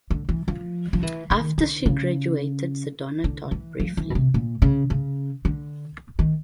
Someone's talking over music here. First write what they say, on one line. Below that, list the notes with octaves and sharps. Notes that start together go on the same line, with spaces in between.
After she graduated Sedona taught briefly.
D3
E3
F3
F3
E3
D#3
D3
C#3
D3
E3
F3
E3
B2
C3
A#2
C#3
C#3
D3
D#3